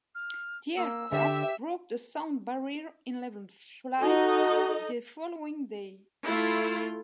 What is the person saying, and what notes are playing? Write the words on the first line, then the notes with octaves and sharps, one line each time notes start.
The aircraft broke the sound barrier in level flight the following day.
F6
A#3 E6
D3 G4 E5
D#4 F#4 A4 D#5
A3 E4 F4